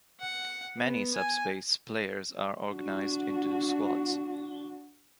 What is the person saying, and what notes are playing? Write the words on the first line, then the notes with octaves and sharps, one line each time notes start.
Many "SubSpace" players are organized into squads.
F#5
B3
G#5
D4 F#4